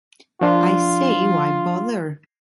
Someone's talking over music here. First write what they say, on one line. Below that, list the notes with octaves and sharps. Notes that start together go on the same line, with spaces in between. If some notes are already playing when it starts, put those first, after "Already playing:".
I say, why bother?
F3 D4 F4